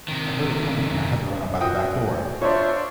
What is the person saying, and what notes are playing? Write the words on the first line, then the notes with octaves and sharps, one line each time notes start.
I heard her coming and I had to run out by the back door!
C3 D#3
F#4 G5 D#6
D4 F4 C5 C#5 E5